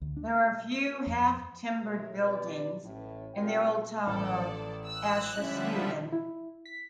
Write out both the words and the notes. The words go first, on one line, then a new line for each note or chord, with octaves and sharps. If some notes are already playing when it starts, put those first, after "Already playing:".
There are few half-timbered buildings in the old town of Aschersleben.
D2
D4
F2
A3 G4 A4 A#4 C#5 E5
C4 G4 B4 D5
A1 A2
G3 C4 F4 A#4 D5 G5
A1 A4 D5
E6 F#6
D3 F3 G3 C#4 E4 E5
E4
B6